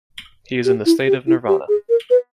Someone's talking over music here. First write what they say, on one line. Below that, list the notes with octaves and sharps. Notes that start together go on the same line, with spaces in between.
He is in the state of Nirvana.
G4
E4
G4
E4
G4
G#4
A#4
B4